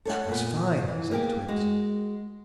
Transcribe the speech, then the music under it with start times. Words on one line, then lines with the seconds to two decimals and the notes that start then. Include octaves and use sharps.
"That was fine," said the Twins.
0.05 A4 C#5 F#5
0.28 A#2 B3
0.88 E3
1.11 A#3 B3 G4 G#4
1.48 G#3 F#4